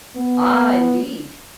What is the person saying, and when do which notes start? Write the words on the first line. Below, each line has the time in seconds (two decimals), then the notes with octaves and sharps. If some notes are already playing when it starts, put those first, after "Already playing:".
"Ah! indeed!"
0.16 B3